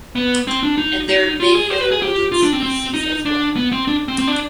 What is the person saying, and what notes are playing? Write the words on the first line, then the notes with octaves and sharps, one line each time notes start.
And there are many other woodland species as well.
B3
C4
D4
D#4
D#4
F4
G#4
C5
B4
G#4
G4
F4
D4
C4
C4
D#4
D4
B3
C4
D4
C4
C4
D4